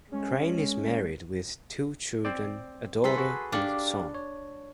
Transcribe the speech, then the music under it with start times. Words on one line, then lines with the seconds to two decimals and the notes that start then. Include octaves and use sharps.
Crane is married with two children, a daughter and son.
0.12 G#3 C#4
2.25 C4 C5 D5
3.04 C2 G#4 A4 B4 C6 B6
3.17 F#4
3.52 D4 G4 F5 D6
4.15 C#5